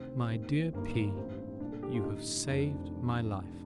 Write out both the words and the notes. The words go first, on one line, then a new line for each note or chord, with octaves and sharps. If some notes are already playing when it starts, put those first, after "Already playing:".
My dear P----, You have saved my life.
Already playing: D2 C3 D#3 C4
D#2 D#3
G1 G2 D#3 A#3
A1 G2 D#3 C4
C2 A#2 D4
A4
G4
F4
A1 G2 D3 D#4
F1 F2 D#3 D4